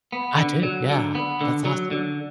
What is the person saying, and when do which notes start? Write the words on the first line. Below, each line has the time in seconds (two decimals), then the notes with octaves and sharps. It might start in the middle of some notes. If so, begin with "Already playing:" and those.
I do, yeah, that's awesome.
0.12 B3
0.37 D3
0.63 F#3
0.89 D3
1.15 B3
1.41 D3
1.65 F#3
1.91 D3